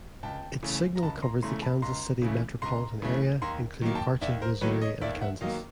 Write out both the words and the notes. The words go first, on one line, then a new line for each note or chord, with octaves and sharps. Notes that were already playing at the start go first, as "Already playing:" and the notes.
Its signal covers the Kansas City metropolitan area, including parts of Missouri and Kansas.
C#2 G5 A5
C#3 E3 A3
A#5
C#2 A5 B5
A#5 C6
C#3 E3 A3 A#5 C6
A5 B5
C#2 A#5 C6
C#3 E3 A3
C#2 A#5 C6
C#3 E3 A3
D#2 A#5 C6
D#3 F#3 A#3
G5 A5
D#2 D5 E5
A#4 C5
D#3 F#3 A#3 B4 C#5
C#5 D#5
D#2 D5 E5
E5 F#5
D#3 F#3 A#3 D#5 F5